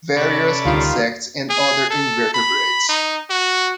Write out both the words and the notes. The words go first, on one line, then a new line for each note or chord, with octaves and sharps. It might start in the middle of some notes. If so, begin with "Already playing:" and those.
Various insects and other invertebrates.
C3 C#4 A4 D5 B5
D2 D#3 G3 F4
G#4
A4
B5
D#4
F#4